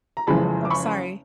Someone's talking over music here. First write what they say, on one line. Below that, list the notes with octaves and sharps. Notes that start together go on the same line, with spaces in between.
Ope sorry.
A#5
F#1 F2 C#3 E3 G#3 A5 B5
D6
B5 C#6